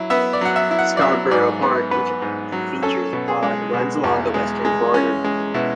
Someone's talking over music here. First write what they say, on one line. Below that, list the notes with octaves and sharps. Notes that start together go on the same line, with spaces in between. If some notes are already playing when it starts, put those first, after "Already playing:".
Scarborough Park, which features a pond, runs along the western border.
Already playing: F#3 E4
B3 E5
D5
F#3 F#5
E5
E4
F#5
D5
F#3 E5
G#2 D5
B3
B3 B4
G#2
F#3
C#4 A4
B2
G#4
G#3
B2
E2
G#3
G#3
C#4
G#3
B2 E4